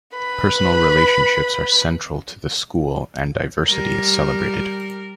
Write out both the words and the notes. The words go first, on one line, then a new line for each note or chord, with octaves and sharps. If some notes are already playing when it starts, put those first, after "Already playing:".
Personal relationships are central to the school, and diversity is celebrated.
B4 B5
G3 A#4